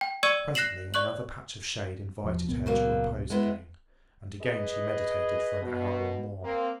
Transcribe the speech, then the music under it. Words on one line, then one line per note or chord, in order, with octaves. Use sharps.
Presently another patch of shade invited her to repose again, and again she meditated for an hour or more.
G5
D5 C#6 E6 G#6 C#7 D#7
F#6 A#6 C7 E7 F#7
D5 C#6 F#6 F#7
E1 F3
C#2 A#2 B3
C#3 F#3 A#3
G#3 B3 E4
G#4 B4 D#5
B2
A#3 C4